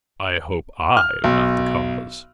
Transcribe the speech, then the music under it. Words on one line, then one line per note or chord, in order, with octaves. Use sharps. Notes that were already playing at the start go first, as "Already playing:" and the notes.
"I hope I am not the cause."
F6
B1